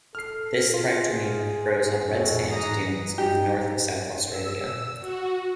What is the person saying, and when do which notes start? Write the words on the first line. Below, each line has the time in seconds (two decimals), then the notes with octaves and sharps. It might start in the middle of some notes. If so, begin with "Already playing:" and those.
This thryptomene grows on red sand dunes in the north of South Australia.
0.15 A4 F6 C7
0.74 F4 G#4
2.05 F2 B2
2.51 E3 A#5 D#6
3.18 D#4 G4
4.29 E6
5.00 F#4